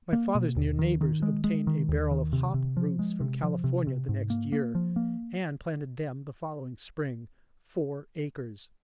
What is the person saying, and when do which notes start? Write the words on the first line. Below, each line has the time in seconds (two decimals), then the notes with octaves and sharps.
My father's near neighbors obtained a barrel of hop roots from California the next year, and planted them the following spring--four acres.
0.13 A#3
0.35 B2
0.56 D#2
0.79 D#3
1.01 D#3
1.22 G#3
1.44 G#3
1.67 D#3
1.89 D#2
2.11 D#3
2.33 C3
2.54 C3
2.77 F3
2.99 G#3
3.20 C3
3.43 F3
3.64 C3
3.87 C3
4.09 G#2
4.30 A#3
4.52 A#3
4.75 F3
4.96 A#3